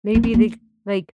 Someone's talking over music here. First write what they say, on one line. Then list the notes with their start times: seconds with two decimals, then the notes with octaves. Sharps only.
maybe they c like,
0.15 A#3
0.23 C4
0.34 A#3